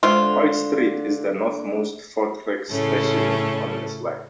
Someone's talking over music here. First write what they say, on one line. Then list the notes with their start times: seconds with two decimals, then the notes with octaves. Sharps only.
Hoyt Street is the northernmost four-track station on this line.
0.03 D2 D3 G#3 F4 G4 B4 C5
2.71 A2 C#3 A3 C#4 A4